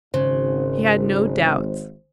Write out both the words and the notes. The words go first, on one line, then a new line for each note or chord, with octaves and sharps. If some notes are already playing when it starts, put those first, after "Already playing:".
He had no doubts.
G#1 C#3 C5